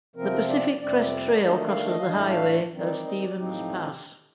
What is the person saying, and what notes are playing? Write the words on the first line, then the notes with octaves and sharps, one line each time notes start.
The Pacific Crest Trail crosses the highway at Stevens Pass.
C3 F3 C4 A#4
D5
F2 C3 G3 C4 D5
D#3 A3 D4 D#5
F5
D#5
F5
A2 A3 D4 D#5
F5
D#3 G3 C4 D#4
D5
D#5
D5
A2 F3 C4 D#4 G4